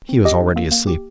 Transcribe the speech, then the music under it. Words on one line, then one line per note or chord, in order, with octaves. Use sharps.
He was already asleep.
C4
G4 D#5
D4
A#3
A#3
G4